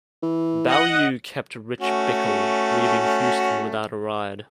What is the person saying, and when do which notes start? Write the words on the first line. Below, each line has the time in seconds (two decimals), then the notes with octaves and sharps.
Ballew kept Rich Bickle, leaving Houston without a ride.
0.23 E3
0.68 D#5 F#5
1.81 A3 C#4 F#4